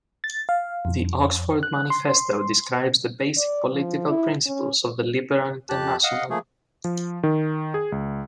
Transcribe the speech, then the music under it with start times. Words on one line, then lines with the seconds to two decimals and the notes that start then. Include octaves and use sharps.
The Oxford Manifesto describes the basic political principles of the Liberal International.
0.24 A6
0.49 F5
0.85 F2
1.63 F#6
1.90 C6
3.37 D5
3.73 F3
4.08 E4
4.46 C#4
5.69 F2 G4 A5 F#6
6.03 D#5 F5 F#5
6.30 F3 A3 A#3 G#4
6.84 F3
7.23 D#3
7.74 G#4
7.92 C#2